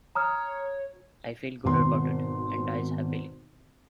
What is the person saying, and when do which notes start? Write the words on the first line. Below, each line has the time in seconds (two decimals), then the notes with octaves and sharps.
I feel good about it, and dies happily.
0.15 C#5 A#5 D#6 F6
1.65 G#1 B2 C6